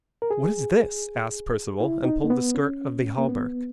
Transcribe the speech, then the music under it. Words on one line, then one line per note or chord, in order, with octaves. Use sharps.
'What is this?' asked Perceval, and pulled the skirt of the hauberk.
A#4
G#4
E4
D#4
A#3
B3
C#4
A#3
B3